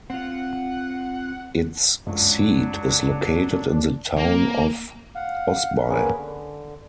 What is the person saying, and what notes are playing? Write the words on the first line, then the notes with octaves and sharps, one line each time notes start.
Its seat is located in the town of Osby.
C4 F4 F#5
C#2 F#2 F#3 D4
A#3
F5 F#5
A#3 B3 C#4 G#4 A#4 B4
D3